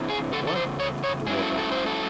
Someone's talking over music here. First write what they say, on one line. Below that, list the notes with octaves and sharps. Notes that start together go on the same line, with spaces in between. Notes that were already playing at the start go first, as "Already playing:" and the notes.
At one point a door opened.
Already playing: C3 E3 C4
G#4
E2 C#3 A4
A4
C5
C#5
C#5
G#2 F#3 C#4 E4 G#4
A4
A4
C5
A4